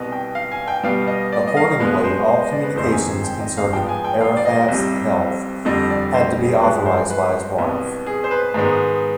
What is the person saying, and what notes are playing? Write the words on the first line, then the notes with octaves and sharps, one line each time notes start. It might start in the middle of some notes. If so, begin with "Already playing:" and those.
Accordingly, all communications concerning Arafat's health had to be authorized by his wife.
Already playing: C2 B2 B3 D#5
G5
F5
G#5
G5
B2 G3 B3 F5
D#5
D5
D#5
F5
B2 G#3 B3 B4
C5
C5
D#5
D5
B4
F2 D#3 G#3 C4 C5
G#5
G#5
G5
D#5
F5
G#2 F3 B3 G5
G#5
G5
F5
D5
D#5
C2 C3 G3 D#5
F2 D3 G3 C4 D#5
D5
C5
G#4
G2 F3 G#3 B4
C5
B4
C2 B2 B3
G#4
C5
B4
G#2 D#3 G#3 B3